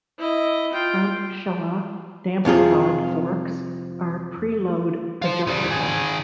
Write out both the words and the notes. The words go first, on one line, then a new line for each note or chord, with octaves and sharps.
Front Showa damper-rod forks are preload adjustable.
E4 D#5
F4 G5
F2 C3 F4 G#4
F4 C5
C#3 G3
D#3 G#4